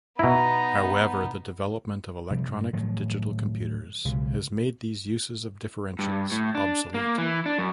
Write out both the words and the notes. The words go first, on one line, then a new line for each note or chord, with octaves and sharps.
However, the development of electronic digital computers has made these uses of differentials obsolete.
B2 B3 D#4 E4 A#5
C3 F3 G3
G2
A2 D#3 F3 F#3
B1 C#3 G#3
G2
A2
D4
A#3
E3
D4
F#2